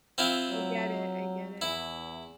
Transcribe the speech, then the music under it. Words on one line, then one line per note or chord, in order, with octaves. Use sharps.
I get it, I get it,
C4 E4 F4
F#3
E2 E4